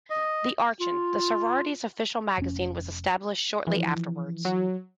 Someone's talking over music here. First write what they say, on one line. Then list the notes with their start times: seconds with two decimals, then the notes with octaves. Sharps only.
The "Archon", the sorority's official magazine was established shortly afterwards.
0.10 D#5
0.80 F4
2.38 F1 C#4
3.67 E3 F3
4.45 F#3